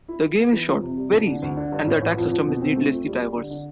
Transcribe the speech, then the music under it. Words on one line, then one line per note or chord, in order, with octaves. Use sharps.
The game is short, very easy, and the attack system is needlessly diverse.
E4
E4
B3
E3
F2
C3
G3
C2
D3
D2
D3
G2
A2
A1
F2
F2
B2
C4
A3
F2
G3
G3
D3
D3